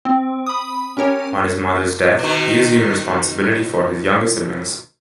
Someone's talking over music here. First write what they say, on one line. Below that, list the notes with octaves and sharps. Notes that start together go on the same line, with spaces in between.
On his mother's death, he assumed responsibility for his younger siblings.
C4
B5 D#6
C#4 G4 A#4 C#5
B2 D#3